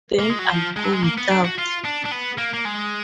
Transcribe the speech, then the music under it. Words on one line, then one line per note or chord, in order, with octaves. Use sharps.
Then I'll go without.
A#3
G#3
F#3
F3
G#3
F#3
G#3
A#3
B3
D4
F#4
F4
D4
D4
B3
A#3
A#3
G#3